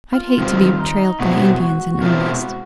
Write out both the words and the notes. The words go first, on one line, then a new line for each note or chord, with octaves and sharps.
I'd hate to be trailed by Indians in earnest.
F4
D#3 G3 C4 F4
D#4
B2 G#3 C4 E4 F#4
F#4
F#4
B2 G#3 C4 E4 F4
F#4